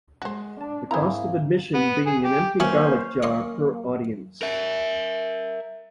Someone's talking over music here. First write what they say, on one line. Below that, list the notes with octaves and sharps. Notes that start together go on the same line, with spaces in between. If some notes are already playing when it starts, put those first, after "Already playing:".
The cost of admission being an empty garlic jar per audience.
G#3 F#4 C5
D4 A5
G#2 A#3 C4 E4 G#4 C5 A#5
B3
G#4
G4
E3 F#3 A#3 C#4 F#4 C5
A#3 C#5 D#5 C6
A#4 E5